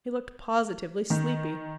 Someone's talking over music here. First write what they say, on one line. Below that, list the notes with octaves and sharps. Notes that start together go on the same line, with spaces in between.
He looked positively sleepy.
D#3